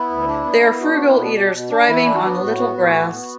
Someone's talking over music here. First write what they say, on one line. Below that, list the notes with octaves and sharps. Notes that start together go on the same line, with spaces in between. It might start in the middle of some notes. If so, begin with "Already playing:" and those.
They are frugal eaters, thriving on little grass.
Already playing: B3 E4
D2
D4
B3
B3
D4 F#4
B3 F#4
E4
B2 D4
D4
B2
D4
E3 E4
D4
F#4
B3
A2 F#4
B3
A2
B3
B3